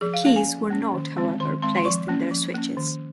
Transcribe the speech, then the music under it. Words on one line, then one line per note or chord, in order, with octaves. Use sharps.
The keys were not, however, placed in their switches.
F3 G#4
F5
A#3 C#4 F5
G#5
F3
A#3 C#4
D#3
G#3 C4
D#3 C6
G#3 C4 C6
C6
F3 C#6
A#3 C#4
F3
A#3 C#4
D#3